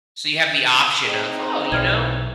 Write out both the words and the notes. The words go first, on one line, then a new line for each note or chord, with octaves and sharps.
So, you have the option of, "Oh, you know,
C4 D#4 G#4
B1 E3 D5 F6 G#6